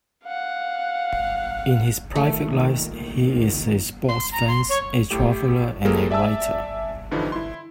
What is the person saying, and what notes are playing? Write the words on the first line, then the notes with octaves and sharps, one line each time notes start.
In his private life, he is a sports fan, a traveller and a writer.
F5 F#5
A#2 D#3 A3
C2 C#3
C6
A#5
C6
C#5
A2 A3 G4
F3 G3 G#3 A#3 G#4 A4
D5 E5 G#5 A5 E6
G2 D3 E3 F3 D#4
E4 C6